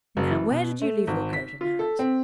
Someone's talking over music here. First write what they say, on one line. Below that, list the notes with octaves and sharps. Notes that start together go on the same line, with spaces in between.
Now where did you leave your coat and hat?
F#1
E3
B2
A3
G#1
B6
F4
A4
C4